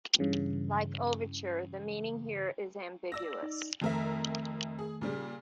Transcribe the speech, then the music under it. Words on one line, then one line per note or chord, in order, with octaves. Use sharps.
Like "Overture", the meaning here is ambiguous.
G2 C#3 E3
D5 E6 A#6
D#4
F2 D#3 A3 A#4 E5
G#4
A#2 C#3 G3